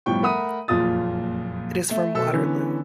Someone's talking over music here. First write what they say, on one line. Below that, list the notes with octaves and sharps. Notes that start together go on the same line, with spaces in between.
It is from Waterloo.
G1 A2 F3 G3 G5 C#6
A3 A#4 F#5 B5 D#6 D#7
F#1 F2 A#2 F4 D#6 A6
A3
B2 A4 E5 E6
D3 E3 B3 C#4